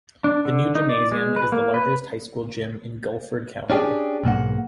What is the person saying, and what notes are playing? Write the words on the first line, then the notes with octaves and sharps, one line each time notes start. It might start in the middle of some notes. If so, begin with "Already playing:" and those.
The new gymnasium is the largest high school gym in Guilford County.
D4
D3
D#4
D5
G#3
B4
A#3
B4
C#4 D4 G4 G#4
B1 G#2 A#3 F#5